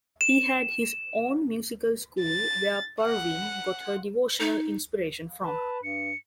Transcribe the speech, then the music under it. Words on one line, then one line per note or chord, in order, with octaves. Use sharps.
He had his own musical school where Parveen got her devotional inspiration from.
E7
A6
F#5
D#4
B4 A5
G2 C#7